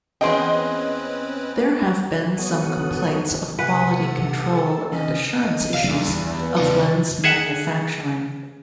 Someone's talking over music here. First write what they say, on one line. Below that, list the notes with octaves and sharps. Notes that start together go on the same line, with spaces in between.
There have been some complaints of quality control and assurance issues of lens manufacturing.
E2 C4 C#4 G#4 B4 D#5 G5 C6
B3 F#4 A4 C#5 F#5 D#6
C3 B4 F#5 G#5
A4
C#4 D#5
D#5
G3 D4 F5
E2
A#3 B3
C#3 D#4
G#4 E5 F#5